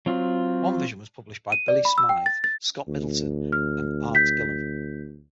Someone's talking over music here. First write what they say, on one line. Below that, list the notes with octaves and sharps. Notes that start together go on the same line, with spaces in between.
One version was published by Billy Smythe, Scott Middleton, and Art Gillham.
F#3 C4 F4
D#7
D5
B5
E6
G5
A6
A6
D2
F6
G6 B6